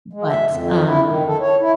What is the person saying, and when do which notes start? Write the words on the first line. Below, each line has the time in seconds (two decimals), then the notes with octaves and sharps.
but, um,
0.13 G#3
0.29 E5
0.47 F2
0.86 E4
1.05 D#3
1.26 A4
1.40 C#5
1.60 E4